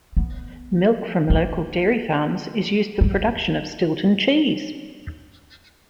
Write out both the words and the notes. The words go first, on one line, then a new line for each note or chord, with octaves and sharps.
Milk from local dairy farms is used for production of Stilton cheese.
B3
A#3
G3